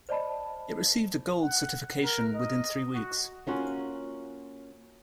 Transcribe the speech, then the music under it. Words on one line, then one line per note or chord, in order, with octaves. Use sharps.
It received a Gold certification within three weeks.
C5 D5 D#5 A5 B5
F#5
A#4
D#5
F#4
A#3 C#4 F4 F#4